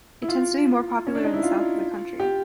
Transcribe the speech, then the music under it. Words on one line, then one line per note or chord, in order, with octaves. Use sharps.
It tends to be more popular in the south of the country.
E4
F4
C#4
D4
D#4
E4
F4
G4